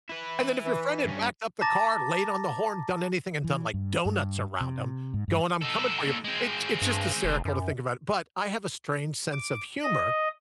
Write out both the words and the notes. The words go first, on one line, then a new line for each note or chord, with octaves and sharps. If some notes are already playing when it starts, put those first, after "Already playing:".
And then if your friend had backed up the car, laid on the horn, done anything, and done, like, donuts around him going, "I'm coming for you." It it's just hysterical to think about it, but I have a strange sense of humor
E4 B4
E3
G2 C#4
A5 A#5 D6 A6 A#6
E3
G2
G2
C3
G#2
G2
D#4 A4
D#2 A4
G#3 C4
G2
F1
F#2
D6
D#5